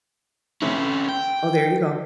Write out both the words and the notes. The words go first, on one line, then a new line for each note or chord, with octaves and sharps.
Oh, there you go.
C#3 A3 C4 C#4 B4
G5